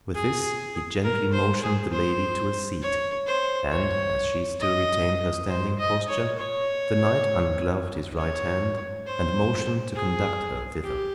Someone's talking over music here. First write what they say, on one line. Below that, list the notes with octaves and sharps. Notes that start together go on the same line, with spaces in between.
With this, he gently motioned the lady to a seat; and, as she still retained her standing posture, the knight ungloved his right hand, and motioned to conduct her thither.
G#4
A#4
C5
G#4
C5
C#5
C5
C#5
D#5
C5
D#5
C#5
C#5
C#5
C5
G#4
G4